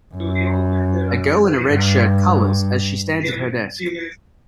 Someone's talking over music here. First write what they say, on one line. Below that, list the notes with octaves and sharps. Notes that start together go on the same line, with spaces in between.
A girl in a red shirt colors as she stands at her desk.
F#2
G2